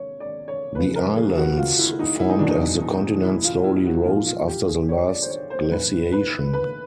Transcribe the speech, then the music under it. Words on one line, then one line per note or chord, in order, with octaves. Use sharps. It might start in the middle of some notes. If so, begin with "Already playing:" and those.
The islands formed as the continent slowly rose after the last glaciation.
Already playing: C3 C#5
D5
C#5
F1 E2 C#3 F3 B4
A#4
G#4
F#4
F4
E4
D#4
E4
D#4
F#1 E2 B2 D4
D#4
E4
F4
E4
F#4
B1 A#2 F3 F4
F4
G4
G#4
C#5
D5
C5
C#5
C5
B1 A2 E3 B4
B4
B4